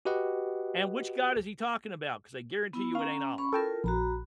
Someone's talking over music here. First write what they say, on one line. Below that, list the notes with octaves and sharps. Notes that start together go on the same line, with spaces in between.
and which God is he talking about, 'cause I guarantee you it ain't Allah.
F#4 G4 B4 D#5 F#5
B3 E4
C#4 F5 A#5
C#4 B5 C#6
E4 F4 A4 A#4 G5 A5
A#1 F#4 A#5 B5